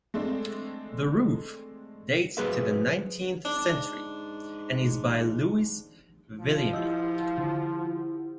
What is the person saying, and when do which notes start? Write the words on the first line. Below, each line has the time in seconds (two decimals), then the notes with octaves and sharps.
The roof dates to the Nineteenth Century and is by Lewis Vulliamy.
0.14 G#3 A3 C4 D4
2.37 F#3 G#4 B4 C5 E5 F5
3.45 G#2 D4
6.39 F3
6.73 E4 G4 D#5 F#5
7.38 D3